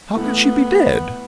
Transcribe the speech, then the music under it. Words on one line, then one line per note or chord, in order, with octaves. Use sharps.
"How can she be dead?"
A2 E3 A3 B3